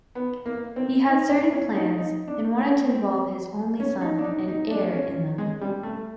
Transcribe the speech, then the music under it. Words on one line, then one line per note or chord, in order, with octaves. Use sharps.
He had certain plans and wanted to involve his only son and heir in them.
B3
A#3
C4
D#4
D4
C#4
D#4
D#4
D4
C#4
C4
C#4
D#4
D4
D#4
D#4
D4
C#4
G#3
G3
A3